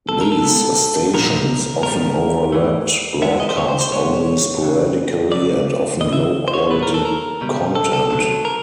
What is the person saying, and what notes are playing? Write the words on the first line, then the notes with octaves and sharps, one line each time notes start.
These stations often overlapped, broadcast only sporadically and often low-quality content.
A4
A#4
A4
B2 G#3 B3
A#2 F3 G#3 B3 A#4
G#2 D#3 G3 A#4
G#2 E3 A3
G2 D#3 G#3 B3 E5
D#5
C5
C#5
C5
C5
B2 G#3 B3 C#5
D#2 C#3 E3
F#2 C#3 E3 A3 D5
A2 E3 A3 D#5
E5
C5
C#5
C2 A#2 F#3 A3 B4
A#4
A4
A#4
C#2 B2 G3
A4
A4
D2 C3 D#3 F#3
A#4